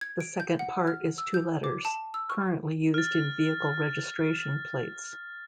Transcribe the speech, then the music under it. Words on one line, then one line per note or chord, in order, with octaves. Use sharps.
The second part is two letters, currently used in vehicle registration plates.
G#6
D7
G6
F#5
F6
E6
G6
D6
A5
E6
C#6
F6 A6